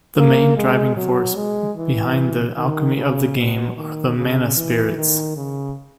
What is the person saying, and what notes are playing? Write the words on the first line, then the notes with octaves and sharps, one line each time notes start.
The main driving force behind the alchemy of the game are the Mana Spirits.
A#3
G#3
F#3
G#3
E3
D#3
C#3
B2
D#3
C#3
E3
D#3
C#3